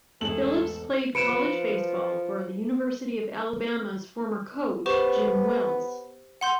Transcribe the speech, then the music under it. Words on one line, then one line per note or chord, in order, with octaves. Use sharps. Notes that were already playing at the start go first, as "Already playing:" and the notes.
Phillips played college baseball for the University of Alabama's former coach, Jim Wells.
E2 G#2 A3 G#4 A4 F#7
F3 B4 C#7 D7 E7
B3 G4 C5 C#6
F#5 C6 G6